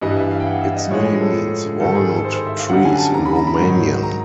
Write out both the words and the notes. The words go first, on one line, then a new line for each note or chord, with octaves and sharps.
Its name means "walnut trees" in Romanian.
G2 E3 G3 D#5
E5
F5
G5
F#5
E5
D#5
A2 F3 G#3 C#5
G#4
A4
G#2 D#3 G3 A4
G#4
A4
C5
C5
E5
F5
F#2 D3 G3 F#5
G#5
A5
A#5
B5
A#5
B5
G#2 D#3 F#3
A#5